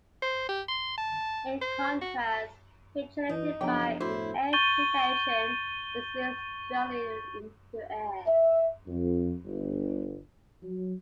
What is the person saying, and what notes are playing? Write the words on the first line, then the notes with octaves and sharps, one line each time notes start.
In contrast, heat generated by an air-cooled engine is released directly into the air.
C5
G4
C6
A5
C5
F#4
E3 D#4
F#1 F3 B3 D4 G5
A2 E4 F#4 C5
C#6 G6 A6 D#7 G7
E5
F2
G1
F#3